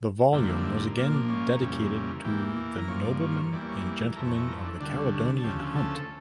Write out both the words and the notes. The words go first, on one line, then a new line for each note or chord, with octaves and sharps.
The volume was again dedicated to the "Noblemen and Gentlemen of the Caledonian Hunt".
F2 D3 G3 A#3 E4
E4
E4
A#2 F3 A#3 D4
D4
C#4
F2 C#3 E3 G3 A#3
E2 E3 A#3 G4
A#4
G2 F3 A#3 C#5
D5
C#5
C#5
E2 E3 G3 A#3 D5
C#5
F2 E3 A3 A#4
C#5
C#5
A#4
D4
D2 D3 G3 D4
C#4
C#4
A4
D2 C#3 F3 A3 G4
A4